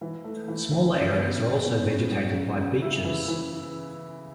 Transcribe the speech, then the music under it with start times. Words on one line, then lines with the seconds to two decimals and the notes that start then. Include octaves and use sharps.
Smaller areas are also vegetated by beeches.
0.01 E3
0.24 A3
0.48 E3
0.71 E3
0.94 C#3
1.18 B3
1.41 C#3
1.64 B3
1.88 C#4
2.11 F#3
2.35 C#3
2.58 C#3
2.82 E4
3.05 E3
3.28 E3